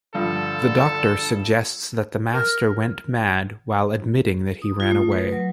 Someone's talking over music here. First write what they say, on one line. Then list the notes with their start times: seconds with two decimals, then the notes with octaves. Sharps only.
The Doctor suggests that the Master went mad, while admitting that he ran away.
0.14 G2 D3 F3 A4
2.33 A#4
4.62 D#6
4.80 F4
4.91 A3
5.12 B4
5.32 F#3